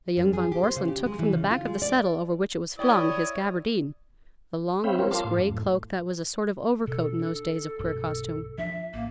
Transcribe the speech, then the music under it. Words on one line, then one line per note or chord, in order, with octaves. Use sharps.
The young von Borselen took from the back of the settle, over which it was flung, his gabardine--the long, loose gray cloak that was a sort of overcoat in those days of queer costume.
F#2
G#4
G4
C5
C#3
G4
G#3
E3
C#3
F4
G#3
D5
E4 C#5 D5 G5 D#6
C4 C#5 E5 F5 G5 B5
G3 C4 F4 A#4 C#5
F5 A5 C6 D6
A2
F#2
A2
B2 A4
D4
B1 G2 B2
F3 D4 E5
A1 A#3